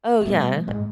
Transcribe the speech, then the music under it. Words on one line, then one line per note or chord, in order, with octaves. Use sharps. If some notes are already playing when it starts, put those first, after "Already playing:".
Oh, yeah.
B2 G3 A3
G#2 G#3